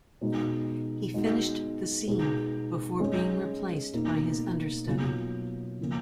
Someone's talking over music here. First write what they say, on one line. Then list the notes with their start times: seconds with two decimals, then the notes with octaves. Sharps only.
He finished the scene before being replaced by his understudy.
0.21 B2 G#3 D#4
1.14 G#3 B3 D#4 F#4
2.07 B2 G#3 B3 D#4 G#4
3.00 G#3 C#4 G#4
3.93 B2 A#3 D#4
4.86 B2 F#3 A#3 F4
5.79 C#3 F3 A#3 F4